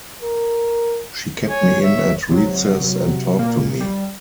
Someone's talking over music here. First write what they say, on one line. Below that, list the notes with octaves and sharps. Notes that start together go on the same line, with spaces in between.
She kept me in at recess and talked to me.
A#4
C#5 G#5
E5
C3 F#3
A#2 A#3
G3